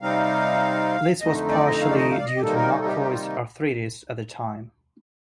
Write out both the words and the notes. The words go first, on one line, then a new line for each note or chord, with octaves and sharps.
This was partially due to McCoy's arthritis at the time.
C3 G3 C4 D#4 F5
F2 D3 A3 D#4 D#5
D5
D#5
F5
D5
D#5
F5
D5
D#5
G4
C3 D#3 G3 A#3 D#4 A4
A#4
A4
G4
G4
F4